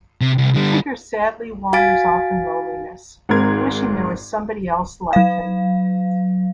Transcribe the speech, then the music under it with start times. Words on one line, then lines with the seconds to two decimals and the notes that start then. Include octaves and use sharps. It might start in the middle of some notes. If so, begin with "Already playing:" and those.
Tigger sadly wanders off in loneliness, wishing there was somebody else like him.
0.21 C3
0.38 C2
0.54 D3 G3
1.73 F#4 F5 G#5 A6 D7
3.29 G#1 G#2 C4 A#4 G#6
5.13 F#3 F5